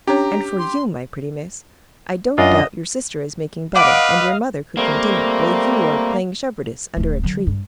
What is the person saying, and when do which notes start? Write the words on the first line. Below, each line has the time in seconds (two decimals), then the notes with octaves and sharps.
"And for you, my pretty miss, I don't doubt your sister is making butter and your mother cooking dinner, while you are playing shepherdess under a tree."
0.07 C#4 D4 G4 C#5 A#5
0.59 C6
2.38 F#2 D4 F4 D#5
3.75 B4 D5 D#5 F5 F#5 D6
4.77 G3 A3 A#3 C4
6.97 D1 A3
7.23 D3 F#3
7.47 G2